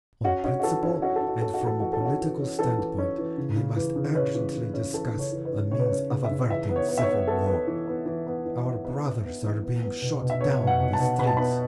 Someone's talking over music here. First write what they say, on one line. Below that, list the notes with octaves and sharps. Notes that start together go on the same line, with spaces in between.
On principle and from a political standpoint we must urgently discuss a means of averting civil war. Our brothers are being shot down in the streets!
C#4 F#4
C#4 F#4
F#4
E3 A4
C#4 E4
C#4 F#4
A4
C#4
F#4
C#4 A4
F#4
E3
A4
E3 F#4
A4
C#4
F#4
E3
C#4
E3 A4
E3
C#4
E3
C#3
C#3
E3
C#3
C#4 B4
E3
E3
C#4
E3 A4
C#3
C#5
E3
B4
C#4
C#3 C#5
B4
C#5
C#4
C#3
E5
C#3
E3 E5
B3
C#5
B3
E5
C#5
B3
B3 A4
B3
E3
B3
E3
B3
E3
B3
B3 B4
B3
B3
E3
B3
B3
B2
B2
E5
B3 C#5
B2
F#5
B2
A5
B2
B2 B5
A5
B3 B5